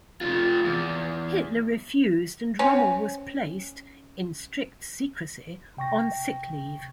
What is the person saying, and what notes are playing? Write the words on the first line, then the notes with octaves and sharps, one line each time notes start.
Hitler refused and Rommel was placed, in strict secrecy, on sick leave.
C3 F4
E2
C4 C#4
C3 G5 C#6 A#6